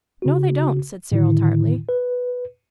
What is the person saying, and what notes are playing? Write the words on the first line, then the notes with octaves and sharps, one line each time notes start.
No, they don't,' said Cyril tartly.
C#3 F#4
A2 D3 D#3 E4
B4